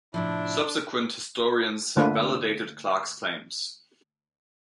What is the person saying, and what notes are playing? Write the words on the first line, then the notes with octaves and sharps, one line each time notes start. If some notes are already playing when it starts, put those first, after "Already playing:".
Subsequent historians have validated Clark's claims.
A2 C3 F3 D4 E4
D3 A3 A#3 D4 F4 B4